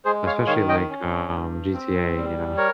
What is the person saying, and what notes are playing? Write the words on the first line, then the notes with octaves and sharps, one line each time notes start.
especially like, um, GTA, you know,
G#3 G#4 C5
C#5 F5
D#3 C#5 F5
D#5 G5
C#4
G2
C4
G3
A#4 C#5